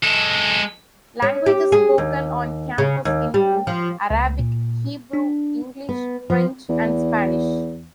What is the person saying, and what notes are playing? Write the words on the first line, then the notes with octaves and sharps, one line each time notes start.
Languages spoken on campus include Arabic, Hebrew, English, French, and Spanish.
G#3 A4
C#4
G4
G#4
D#2
C#3
D#2
G3
F3
C#2
A#2
D4
B3
F3
E2